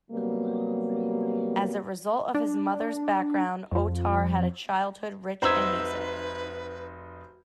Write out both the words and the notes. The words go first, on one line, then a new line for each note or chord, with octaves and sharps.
As a result of his mother's background Otar had a childhood rich in music.
C3 F#3 G3 A#3 B3
D4
F2 F3
F1 D#4 F#4 B4 C5 E5 A#5 G#6